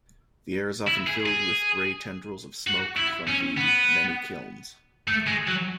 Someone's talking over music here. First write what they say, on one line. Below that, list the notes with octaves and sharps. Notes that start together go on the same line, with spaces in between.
The air is often filled with gray tendrils of smoke from the many kilns.
E4
G#4
G#4
F#4
E4
C#4
B3
A3
G#3
F#3